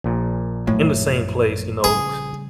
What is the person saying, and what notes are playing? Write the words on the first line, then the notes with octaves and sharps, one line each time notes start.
in the same place, you know
A#1 A#2
F#2 A2
C#3 G3 G#4